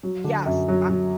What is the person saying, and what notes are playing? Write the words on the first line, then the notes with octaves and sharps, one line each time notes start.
Yes, I
F#3
D3
F#2
F#3
F#3